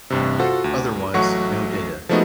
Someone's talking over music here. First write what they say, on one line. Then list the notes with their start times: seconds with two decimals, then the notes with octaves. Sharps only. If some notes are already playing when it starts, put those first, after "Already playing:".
Otherwise, no data.
0.10 A1 G2 C3
0.39 F4 F#4 A4 C5 F#5
0.64 D2
1.14 A1 F#3 A3 F#5 C#6
2.09 F3 G#3 A3 B3 D#4 F#4